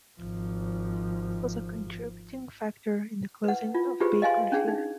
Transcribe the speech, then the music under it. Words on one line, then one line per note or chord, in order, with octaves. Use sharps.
This was a contributing factor in the closing of bakers here.
G#1 F3
B4 F#5
F4
F4 G4 G#4 B4 C5
D#5 F5 G#5 C6
C#4 D4 G#4
D#4